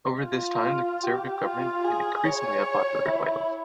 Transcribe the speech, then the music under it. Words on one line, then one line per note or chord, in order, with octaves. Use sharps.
Over this time, the Conservative government became increasingly unpopular in Wales.
F4
G4
F4
G#4
C#5
E4